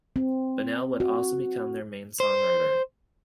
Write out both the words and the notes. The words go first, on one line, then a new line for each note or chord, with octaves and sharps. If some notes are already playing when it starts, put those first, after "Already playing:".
Bunnell would also become their main songwriter.
C4
F#4
C5